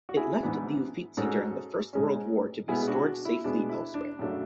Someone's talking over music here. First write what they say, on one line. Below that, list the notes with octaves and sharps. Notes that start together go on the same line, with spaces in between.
It left the Uffizi during the First World War to be stored safely elsewhere.
F#4
E4 G#4
G#2 E3 B3 D4
G#2 G#3 C#4 F#4 A4
G#2 G#3 C#4
B2 G#3 B3 E4 G#4
G#4
D4 F#4
E4
B2 G#3 B3 D4
E4
D4
F#2 C#3 F#3 A3 D4